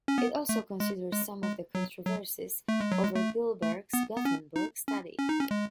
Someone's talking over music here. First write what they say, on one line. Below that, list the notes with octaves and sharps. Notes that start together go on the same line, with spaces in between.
It also considered some of the controversies over Gillberg's Gothenburg study.
C#4
B3
A3
G#3
G#3
G#3
F#3
F#3
A3
G#3
F#3
G#3
A3
A3
B3
B3
C#4
D#4
C#4
C#4
D#4
C#4
G#3